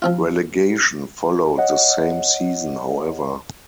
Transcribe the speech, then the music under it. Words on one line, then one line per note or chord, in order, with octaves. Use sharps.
Relegation followed the same season, however.
F3 C4 F4
C#5 D#5 F#5